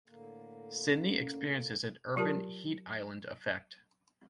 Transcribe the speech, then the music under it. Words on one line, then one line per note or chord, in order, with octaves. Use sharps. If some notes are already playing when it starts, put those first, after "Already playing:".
Sydney experiences an urban heat island effect.
A2 D3 A#3
C#4
F#3 F4 G4 A#4 A5